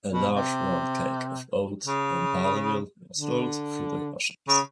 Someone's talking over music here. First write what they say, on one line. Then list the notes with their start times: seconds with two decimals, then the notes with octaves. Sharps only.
A large round cake of oat or barley meal was rolled through the ashes.
0.12 B2
0.34 C3
1.86 C#3
3.18 D3
4.48 C#3